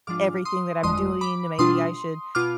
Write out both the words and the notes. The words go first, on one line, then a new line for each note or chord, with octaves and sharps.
everything that I'm doing, then maybe I should
G#2 F3 G#3 D4 F4 D6 F6
C6 D#6
G1 F2 D3 G#3 C6 D#6
B5 D6
B2 G3 D4 F4 C6 D#6
B2 B3 F4 D6 F6